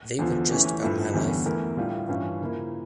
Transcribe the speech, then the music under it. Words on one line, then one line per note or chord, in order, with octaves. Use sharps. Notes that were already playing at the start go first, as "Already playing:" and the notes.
They were just about my life.
E2 D3 F3
E3 A3 C#4 G4
G2 F3 A3 E4
E2 D3 G3 C#4
E2 E3 A3 E4 A#4
A2 E3 G3 D4 F4
G2 E3 G3 C#4 F4
C#3 F3 A#3 E4